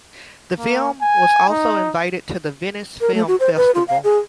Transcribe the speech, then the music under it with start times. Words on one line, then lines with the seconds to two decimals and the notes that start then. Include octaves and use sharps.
The film was also invited to the Venice Film Festival.
0.58 A#3
1.02 G#5
1.49 D#4
3.01 A#4
3.14 A3
3.28 F#4
3.40 C5
3.57 B4
3.75 F4
3.88 F5
4.04 G#4